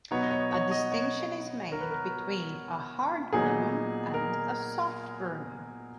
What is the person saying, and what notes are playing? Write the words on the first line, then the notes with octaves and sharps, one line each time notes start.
A distinction is made between a "hard broom" and a "soft broom".
B2 F#3 B3 D#4 C#5
D#5
C#5
C#5
D#5
C#5
A#4
B4
A#4
A#2 F#3 B3 D#4 G#4
A#4